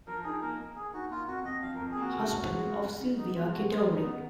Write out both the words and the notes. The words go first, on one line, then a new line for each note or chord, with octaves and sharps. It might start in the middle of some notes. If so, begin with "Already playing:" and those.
Husband of Sylvia Kedourie.
F3 A#4
D#4 G#4
A#3 A#4
A#3
A#3 G#4
D#4 F#4
A#3 F4
F2 F#4
F2 D#5
F3 F5
A#4
F2
G#4
A#3 F#4
C#3
C#3
G#3
C#3
C#3
C#3
B3 D#4
G#3 F4
B3 F#4
G#3 F4
C#3
D#4
B3